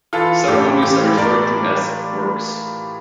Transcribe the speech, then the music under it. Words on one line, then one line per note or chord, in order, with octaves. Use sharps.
Ceremonies are referred to as "works".
E3 F4 A4
A2 G4
E3 G4
A2 A#4 D5